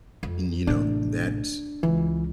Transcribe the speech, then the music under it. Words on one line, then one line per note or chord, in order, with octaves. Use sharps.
and, you know, that
F2
A1 C3 D4
C#2 E3